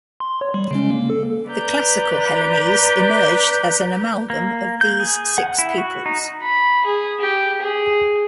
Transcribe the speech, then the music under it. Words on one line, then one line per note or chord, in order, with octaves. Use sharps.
The classical Hellenes emerged as an amalgam of these six peoples.
C6
C#5
G3
C#3 G#3 C#4
A#3
A4
B4 D5 A#5 G6
A#3
G6
G#4
F#5
E4
F#4
D#4
B5
G#4
G4
G#4